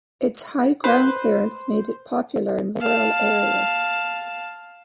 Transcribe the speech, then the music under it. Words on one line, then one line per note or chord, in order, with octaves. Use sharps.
Its high ground clearance made it popular in rural areas.
B4 C5
F5 A5